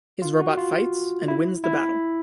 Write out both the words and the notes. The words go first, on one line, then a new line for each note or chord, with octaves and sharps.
His robot fights and wins the battle.
F4
F#4
F4
E4
E4